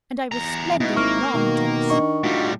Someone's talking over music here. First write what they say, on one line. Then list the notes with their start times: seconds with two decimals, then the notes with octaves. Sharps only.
"And I was splendid at lawn tennis."
0.32 E2 A#5
0.80 B2 D#4 E4
0.96 G#1 A#3 C#6 F6
1.34 B2 D#3
1.90 D4 D#5 C#6
2.24 A2 G3 D#4 F4 F#4